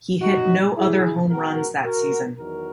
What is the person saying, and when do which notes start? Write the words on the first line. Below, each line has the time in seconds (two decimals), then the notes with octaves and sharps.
He hit no other home runs that season.
0.22 F#2 D#3 F#3 D#4 F#4
0.76 E4 G#4
1.30 B2 G#3 F#4 A#4
1.85 F#4 A#4
2.39 E2 D#3 F#3 F#4 A#4